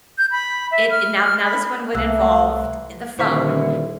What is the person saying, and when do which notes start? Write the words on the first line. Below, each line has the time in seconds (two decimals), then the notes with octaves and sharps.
it i now now, this one would involve the phone,
0.18 G6
0.31 B5
0.71 E5
0.90 F6
1.23 F6
1.43 B5
1.95 C2 E3 A3 A#3 E6 F#6
3.19 D#1 D3 E4 C5 C#6 B6